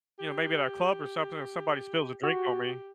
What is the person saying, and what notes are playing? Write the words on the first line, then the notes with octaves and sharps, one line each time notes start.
you know, maybe at a club or something, and somebody spills a drink on me.
G4
F#4 G4